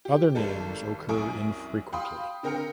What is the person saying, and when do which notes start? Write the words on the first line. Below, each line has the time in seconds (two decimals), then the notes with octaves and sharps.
Other names occur infrequently.
0.05 G4
0.35 G#1 G3 A4
1.09 C2 F#2 G#5 C#6 D#6 D7
1.92 F5 G5 B5 C6 D#6
2.43 D3 C4 A#4 G5 F6 C#7